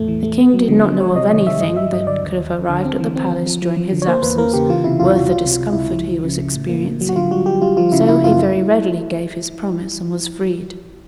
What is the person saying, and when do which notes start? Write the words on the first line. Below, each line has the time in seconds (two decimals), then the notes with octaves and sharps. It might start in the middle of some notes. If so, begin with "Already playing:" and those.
The King did not know of anything that could have arrived at the palace during his absence worth the discomfort he was experiencing; so he very readily gave his promise, and was freed.
Already playing: E2 A2 A3
0.08 E3
0.23 A3
0.38 B3
0.53 F#3
0.68 D3
0.84 F#3
1.00 F#3 C#5
1.15 C3 D#5
1.31 D#3 D#5
1.45 D#3 E5
1.61 G2 D#5
1.77 F#3 E5
1.92 G2 D#5
2.07 D3 D5
2.22 D#2
2.38 D#2
2.54 D#2
2.69 D3
2.85 C4
3.00 E3
3.16 C4
3.30 C4
3.46 F3
3.62 F3
3.77 F3
3.92 D3
4.02 C#5
4.07 A#3 C5
4.23 E2 B4
4.38 A#3 A#4
4.53 C#3 G4
4.69 E3 F4
4.84 C3 E4
5.00 E2 F4
5.15 C3 F#4
5.30 C#2 F4
5.46 C3
5.52 F4
5.61 C#2
5.73 C#2 E4
5.93 F3
6.08 F3
6.24 C#3
6.39 C#3
6.54 A2
6.69 A#3
6.84 A2
7.01 F#3
7.09 F#4
7.16 D3 F4
7.31 G3 F#4
7.46 G3 G4
7.62 G3 F4
7.77 F3 F4
7.92 C#3 E4
8.08 A#3 E4
8.23 F#2 F4
8.39 E4